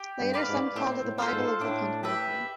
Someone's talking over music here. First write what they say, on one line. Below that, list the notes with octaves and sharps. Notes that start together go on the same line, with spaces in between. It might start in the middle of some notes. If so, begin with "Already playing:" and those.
Later, some called it the Bible of the punk movement.
Already playing: G4
G2
B4 D5 F5
G#2
A2 C4
A2
F4 A4 C5
G#2
A2 D4
G4 B4 E5